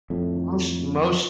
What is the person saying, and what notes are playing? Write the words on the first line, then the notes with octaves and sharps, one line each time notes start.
Most most
F2 A2